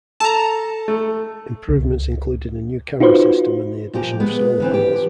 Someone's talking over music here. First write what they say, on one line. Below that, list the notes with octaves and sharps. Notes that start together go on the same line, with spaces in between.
Improvements included a new camera system and the addition of solar panels.
A4 A5 A#5
A3
C#2
D#4 F4 F#4 B4 C5
A#2 F3 G4
G#3 B3
B4
D3 E3 C4
G4
F3